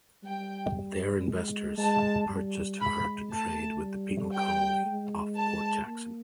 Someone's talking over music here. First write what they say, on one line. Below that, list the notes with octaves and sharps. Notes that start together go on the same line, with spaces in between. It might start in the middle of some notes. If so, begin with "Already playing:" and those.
There investors purchased her to trade with the penal colony of Port Jackson.
G3 G5
G#3
G#3 A5
G3
G#3 B5
A3 A5
G3
G5
G#3
A5
A#3